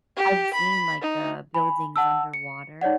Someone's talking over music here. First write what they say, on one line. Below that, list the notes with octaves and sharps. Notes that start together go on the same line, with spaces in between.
I've seen, like, the buildings underwater.
G4
B5
D#4
G#5 B5
F#5 A5 E6
C#7
D#4 C#5 D5 F#5